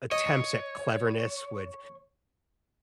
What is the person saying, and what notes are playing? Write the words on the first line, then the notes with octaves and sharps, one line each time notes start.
attempts at cleverness would
C#5 D#5